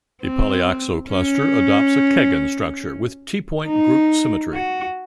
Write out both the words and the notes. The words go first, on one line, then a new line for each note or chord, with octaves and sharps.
The polyoxo cluster adopts a Keggin structure, with T point group symmetry.
C4
C#4
D#4
F#4